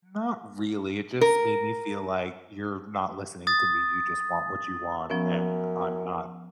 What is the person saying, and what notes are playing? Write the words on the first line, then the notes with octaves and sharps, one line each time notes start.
Not really, it just made me feel like, you're not listening to me. You just want what you want, and I'm not
A#4
D#6 A6
F#2 F3 B3 C#4